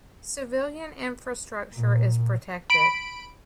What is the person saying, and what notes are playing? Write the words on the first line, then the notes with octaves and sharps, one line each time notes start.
Civilian infrastructure is protected.
A#2
B5 D7